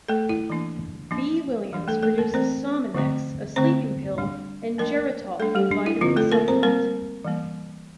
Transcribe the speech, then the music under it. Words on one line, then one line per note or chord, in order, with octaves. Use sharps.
B. Williams products Sominex, a sleeping pill, and Geritol, a vitamin supplement.
A3 A4
E4
E3 A#3 D4
F3 A#3 D4
E3 G3 D4
A3 A4
A3 A4
A#3 A#4
E3 A3 C4 C5
D3 F3 A3 C4
D3 A3 C4 C5
G3 D4
F3 A3 A#3 D4 A#4
G3 A3 D4 A4
G3 G4
D4
E4
D3 F3 C4 F4
A3 A4
A#3 A#4
C4 C5
G3 A#3 C4 A#4
E3 G3 A#3